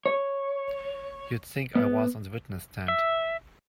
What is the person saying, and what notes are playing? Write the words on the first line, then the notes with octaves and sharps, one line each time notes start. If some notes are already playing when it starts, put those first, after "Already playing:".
You'd think I was on the witness stand!
C#5
B3
E5